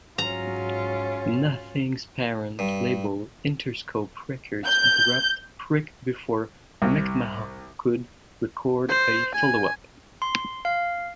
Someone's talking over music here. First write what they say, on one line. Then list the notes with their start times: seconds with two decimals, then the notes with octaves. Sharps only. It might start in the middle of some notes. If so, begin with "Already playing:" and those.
Nothing's parent label, Interscope Records, dropped Prick before McMahon could record a follow-up.
0.18 G#2 F#3 C#4 F4 A#5
2.59 G2
4.66 G6
6.82 C2
8.89 C5
9.35 G#5
10.22 C6
10.65 F5